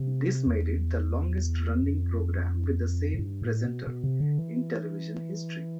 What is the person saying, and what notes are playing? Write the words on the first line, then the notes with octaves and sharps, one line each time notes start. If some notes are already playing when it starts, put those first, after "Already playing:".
This made it the longest-running programme with the same presenter in television history.
Already playing: C3
E2
F2
A2
G2
A2
B2
B2
C3
D3
E3